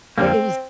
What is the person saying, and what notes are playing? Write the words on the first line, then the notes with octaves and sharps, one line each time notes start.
Like, it was
F2 D3 G3 A#3 C4